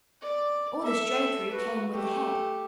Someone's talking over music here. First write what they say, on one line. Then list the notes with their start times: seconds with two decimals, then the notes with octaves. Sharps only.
All this drapery came with the head.
0.22 D5
0.82 A4 E5
1.51 F#4 B4
1.93 A3 G4